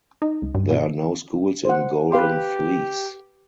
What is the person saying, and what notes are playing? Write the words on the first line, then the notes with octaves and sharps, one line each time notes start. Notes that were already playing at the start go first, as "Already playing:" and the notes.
There are no schools in Golden Fleece.
D#4
C#2
G2
B2
C5 F#5
G4 B4 F5 C6